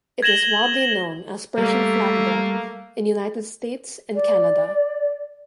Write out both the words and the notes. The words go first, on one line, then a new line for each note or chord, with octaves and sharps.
It is widely known as Persian Flatbread in United States and Canada.
G#6 A#6 E7 F#7 G7
G3 A3 A#3
D5